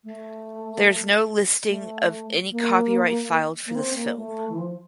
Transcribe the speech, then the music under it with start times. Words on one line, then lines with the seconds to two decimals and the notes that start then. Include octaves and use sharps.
There is no listing of any copyright filed for this film.
0.04 A3
1.68 A3
2.52 A#3
3.66 A#3
3.75 C4
3.95 A#3
4.16 A3
4.49 E3
4.58 F3